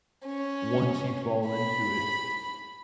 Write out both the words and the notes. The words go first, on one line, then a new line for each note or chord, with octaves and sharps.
once you fall into it,
C#4
B5